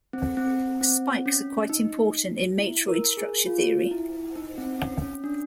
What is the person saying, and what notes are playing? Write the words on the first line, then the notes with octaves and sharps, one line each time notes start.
Spikes are quite important in matroid structure theory.
C4
C4
C4
C#4
D#4
E4
A#4
G#4
F4
E4
D#4
C4
C#4
C#4
D4